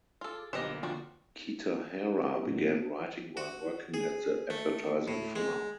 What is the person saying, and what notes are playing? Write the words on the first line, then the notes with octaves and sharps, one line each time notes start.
Kitahara began writing while working at the advertising firm.
F4 G#4 A4 D6
B1 D3 F3 A#3 G4 B4 D#5 E7
F2 D4 F4 F#4 G5
A2 D#3 F#3 B3
F#4
G#4
A3
A2
G#3